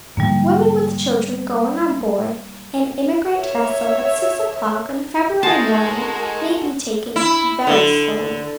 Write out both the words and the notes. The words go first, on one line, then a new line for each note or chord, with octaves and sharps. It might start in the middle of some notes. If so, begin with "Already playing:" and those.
Women with children going on board an emigrant vessel at six o'clock on a February morning may be taken very slowly.
G#2 D3 F3 G3 A#3
C#5 E5
G#3 D#4 F#4 A4 A#4 G#5 A5 C6
E4
D3